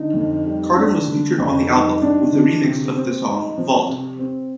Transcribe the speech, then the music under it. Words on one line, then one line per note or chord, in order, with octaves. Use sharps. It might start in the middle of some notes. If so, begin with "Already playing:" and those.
Kardon was featured on the album with his remix of the song "Vault".
Already playing: D3 D#4
F2
G3
D4
D3
F2
G3 D#4
D4
D3
C3
C4
D#4
F3 C4
C3
C4